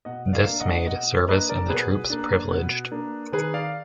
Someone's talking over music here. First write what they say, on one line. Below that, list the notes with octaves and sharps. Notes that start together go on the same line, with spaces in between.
This made service in the troops privileged.
B2 D#5 F#5
D5 F5
A#3 D4
D#5 F#5
B2 D#5 F#5
A#3 D4 B4 D#5
A#4 D5
B2 G#4 B4
A#3 D4
B2
A#3 D4
D#3 G#4 B4
D5 F5